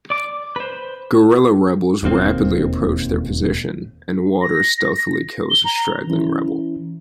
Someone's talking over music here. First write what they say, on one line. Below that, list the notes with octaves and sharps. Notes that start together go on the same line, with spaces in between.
Guerrilla rebels rapidly approach their position, and Waters stealthily kills a straggling rebel.
D5 D6
B4 C5
E1 D#2 A#3 C4
A#6
G7
A#5
E3 C#4 E4